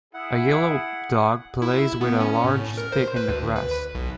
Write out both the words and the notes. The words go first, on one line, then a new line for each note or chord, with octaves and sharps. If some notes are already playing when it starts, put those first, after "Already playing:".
A yellow dog plays with a large stick in the grass.
E4 G#4 F#5
E4
B3
C#4
A2
A#4
C5
B4
D2
B4
B1